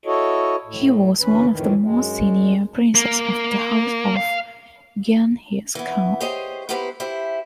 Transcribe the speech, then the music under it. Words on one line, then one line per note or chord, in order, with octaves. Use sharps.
He was one of the most senior princes of the house of Genghis Khan.
E4 F#4 A4 C#5 D#5
A2
D2 E3 C#4 B4
F2 A2 D#3 E3
F#2 G#3
A#3
F5
E3 B3
G4 G#4 C5 C#5 D#5
B3 D#4 E4 G4 B4 C5
E4 G4 C5 E5